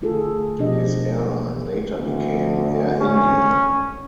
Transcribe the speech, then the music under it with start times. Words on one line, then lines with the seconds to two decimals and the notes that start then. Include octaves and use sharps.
His airline later became Air India.
0.01 D3 A3 F4 G#4 A4
0.58 B2 F3 D4 G4 D#5
1.93 D2
2.99 C#4